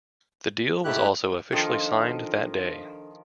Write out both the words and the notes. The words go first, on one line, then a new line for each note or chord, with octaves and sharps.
The deal was also officially signed that day.
G#2 A3 E4 G4 F#6
D#3 F3 D4 A4